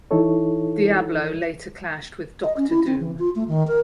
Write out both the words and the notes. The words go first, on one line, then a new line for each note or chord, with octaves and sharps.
Diablo later clashed with Doctor Doom.
E3 D#4 E4 A4 C#5
D#5
C#4
E4
C4
E3
F4
A3
D#3
A#4